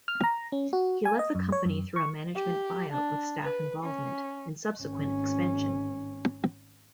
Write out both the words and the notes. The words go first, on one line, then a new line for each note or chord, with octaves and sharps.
He led the company through a management buyout with staff involvement, and subsequent expansion.
F6
A#5
C#4
F#4
G#5
D#5
F#2
C#5
F#2
C#6
G4
D4
B4
C#4
G#1 C#4